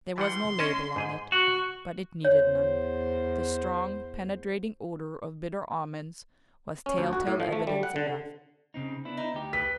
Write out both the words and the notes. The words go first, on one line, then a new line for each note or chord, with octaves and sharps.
There was no label on it, but it needed none--the strong, penetrating odor of bitter almonds was telltale evidence enough.
E3 G3 F#5 C6
C#4 D#5 A5
G#2 G#4 G#5
F#4 C#6
E2 C5 C#5
C#4
D2
F#4
A2
F3
A3
G3
F#5
D3
C#3 C4 D#4
B3 D4 E4
D#4
D2 G4
B4 B6